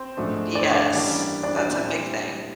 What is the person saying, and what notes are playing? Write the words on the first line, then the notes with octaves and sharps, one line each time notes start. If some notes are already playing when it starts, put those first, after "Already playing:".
Yes. That's a big thing.
Already playing: C4 C5
G#2 F3 A3 D4
D5
C#5
D4 D5
E3 G3 A#3 C#4
D4 D5
D4 D5
A#2 G3 C4 E4